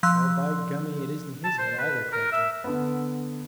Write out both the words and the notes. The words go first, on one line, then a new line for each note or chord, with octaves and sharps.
"Well, by gummy, it isn't his head either!" cried John.
F3 C6 E6 F#6
A5
C5
B4
A#4
E5
D3 B3